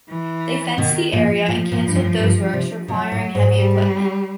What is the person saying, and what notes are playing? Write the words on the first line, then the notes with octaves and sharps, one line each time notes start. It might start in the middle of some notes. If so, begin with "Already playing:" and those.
They fenced the area and canceled those works requiring heavy equipment.
E3
B2 D#3
A#2 F3
A#2
A#2
G2
F#2
G2
C3
B2 F#3
A2
G#2
G3